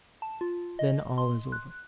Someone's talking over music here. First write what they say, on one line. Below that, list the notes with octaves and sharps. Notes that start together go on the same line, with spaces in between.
Then all is over.
A5
F4
D#5
C6
F#6